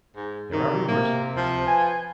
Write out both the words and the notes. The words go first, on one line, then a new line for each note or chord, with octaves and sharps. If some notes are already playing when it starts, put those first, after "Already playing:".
"There are rumours," he said.
G#2
C3 D#3
A#3
F3
B4 G#5